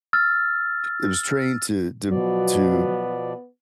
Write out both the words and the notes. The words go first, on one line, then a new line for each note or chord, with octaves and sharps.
It was trained to to b to
E6 F6 A6
B2 F3 F#3 B3 D5